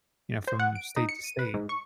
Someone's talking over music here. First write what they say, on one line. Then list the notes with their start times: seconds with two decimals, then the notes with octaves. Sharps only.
you know, from state to state.
0.47 C5
0.59 F#5
0.75 D7
0.96 D#4
1.09 C#7
1.24 D#7
1.39 B4
1.54 G#2
1.69 C#6